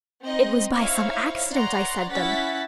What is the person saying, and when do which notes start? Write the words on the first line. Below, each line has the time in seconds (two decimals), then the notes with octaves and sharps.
It was by some accident I said them....
0.25 C4 D#4 D#5
0.77 D#4 E4 C5 C#5 E5 F5
1.53 C#5 D5 F#5 A#5 C6
2.11 C#4 E4 F#5 A6 B6